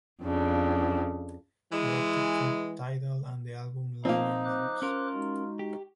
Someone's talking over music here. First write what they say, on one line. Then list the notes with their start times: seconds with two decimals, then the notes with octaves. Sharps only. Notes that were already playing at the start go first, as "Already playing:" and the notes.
Adapted from Tidal and the album liner notes.
0.23 F2 C#3 D4
1.71 E3 G#3
4.05 F3 A#3 C4 D#4 F5
4.45 C5 D6 F#6
4.82 C#4 F4 A#4
5.13 G#3 D#4 F#4
5.59 G4